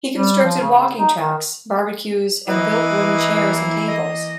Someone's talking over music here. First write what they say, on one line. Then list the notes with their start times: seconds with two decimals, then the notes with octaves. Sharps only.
He constructed walking tracks, barbecues and built wooden chairs and tables.
0.16 G3
0.44 F3
0.61 C#3
0.99 D#4
1.18 D#3
2.47 E3 A#3 E4 B4 D#5
3.87 D#5